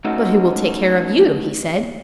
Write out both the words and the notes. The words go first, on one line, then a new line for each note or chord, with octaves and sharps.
"But who will take care of you?" he said.
A3 C#4 D#4 F#4